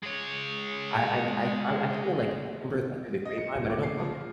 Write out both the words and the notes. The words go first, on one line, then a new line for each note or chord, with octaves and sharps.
I I'd I I kinda, like, remember that through the grapevine, but I don't remember
G#3 C#5
D#5
C#7
D#1
D6
C7
F3
F4